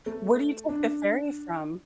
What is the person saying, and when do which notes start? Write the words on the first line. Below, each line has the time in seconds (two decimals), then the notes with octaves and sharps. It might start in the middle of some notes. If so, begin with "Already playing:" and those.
Where do you take the ferry from?
0.06 A3
0.69 D4